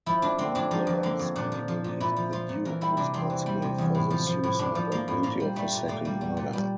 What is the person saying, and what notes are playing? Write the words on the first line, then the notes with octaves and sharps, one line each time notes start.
Nonetheless, many believed the Duke responsible for the suicide-or guilty of a second murder.
F3 E4
F2 D4
D3 C4
F2 D4
F3 A#3
F2
D3 A#3
F2
A#2 D4
F3
F3
A#2
A#2 E4
F3
F3 F4
A#2
E3 A#4
G3 E4
C3 D4
E2 C4
E3
G3
C3
E2
A2
F3
F3
A2
A2 D4
F3
F3 A#3
A2
A#2 A#3
G3
G3 A3
A#2
A#2 A#3
G3
G3
A#2
G3